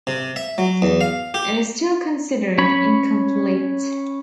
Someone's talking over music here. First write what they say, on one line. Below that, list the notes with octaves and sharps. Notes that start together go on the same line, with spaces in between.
It is still considered incomplete.
C3
E5
F#3
E2
F5
G4
C#4 C#5 B5